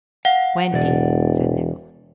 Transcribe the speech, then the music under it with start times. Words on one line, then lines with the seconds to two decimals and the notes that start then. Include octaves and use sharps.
"Twenty," said Nicholl.
0.25 F5 F#5
0.72 E1 B2 E3 D5